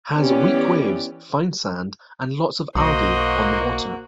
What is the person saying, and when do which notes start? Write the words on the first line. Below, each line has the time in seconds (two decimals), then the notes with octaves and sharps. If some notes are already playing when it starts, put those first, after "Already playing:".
Has weak waves, fine sand and lots of algae on the water.
0.15 E3 B3 C#4 G4 D5
2.75 B1 A#3 F#4 C5 D#5